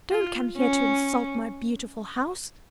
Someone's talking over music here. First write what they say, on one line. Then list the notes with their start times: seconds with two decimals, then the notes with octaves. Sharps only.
Don't come here to insult my beautiful house.
0.11 F4
0.57 C#4